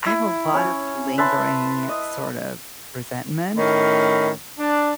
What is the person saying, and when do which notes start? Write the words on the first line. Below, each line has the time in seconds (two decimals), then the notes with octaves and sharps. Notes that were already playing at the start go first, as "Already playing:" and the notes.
I have a lot of lingering sort of resentment
0.06 E4
0.54 C#4 C#5
1.18 B4 E5 A5 C6
1.89 D#5
3.58 A2 D#3 C#4 B5
4.59 D4